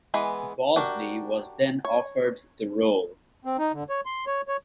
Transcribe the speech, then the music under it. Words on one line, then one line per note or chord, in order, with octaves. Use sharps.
Bosley was then offered the role.
E3 G#3 B3 B4
D4 F#4 G4 A#4
C#5
C4
D#4
D3
C#5
C6
C#5
C#5